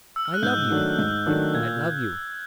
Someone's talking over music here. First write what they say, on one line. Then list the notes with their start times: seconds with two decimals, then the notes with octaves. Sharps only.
I love you!--I love you!
0.16 E6
0.25 F6
0.34 F#6
0.42 G#2 G6
0.71 D#3 F#3 A3 D4
0.99 G#2
1.26 D#3 F#3 A3 D4
1.54 A#2 G#6